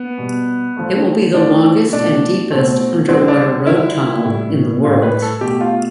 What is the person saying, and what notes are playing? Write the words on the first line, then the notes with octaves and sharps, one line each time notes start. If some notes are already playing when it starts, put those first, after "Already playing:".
It will be the longest and deepest underwater road tunnel in the world.
Already playing: B3
B2 G3
D3 F3 A3
D3 F3 A3 D4
B2 A3 D4
B2 A3 C4
D3 G3 C4
D4
D3 G3 E4
A2 G3
A2 G3 F4
B4
A4
B2 A3 G4
F4